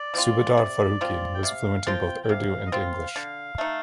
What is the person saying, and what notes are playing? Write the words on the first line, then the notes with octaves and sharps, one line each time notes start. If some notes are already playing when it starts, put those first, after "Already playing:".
Subedar Farooqi was fluent in both Urdu and English.
Already playing: D5
F3 C4 F4
C3
F3 C4 F4
G5
C3 F5
F3 C4 F4 G5
G5
C3 F5
D#5
F3 C4 F4 F5
D3
A3 D#4